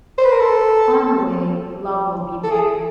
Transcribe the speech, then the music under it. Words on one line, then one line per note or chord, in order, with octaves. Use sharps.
On the way, love will be there.
C5
B4
A#4
A4
A4
G#4